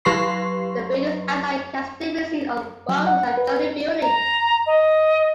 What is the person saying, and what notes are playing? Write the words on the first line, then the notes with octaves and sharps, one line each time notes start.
The building's outline can still be seen on what was the adjoining building.
F#3 G4 B4 C6 C#6 C7
F#3
F#5
B4
A#5
D#5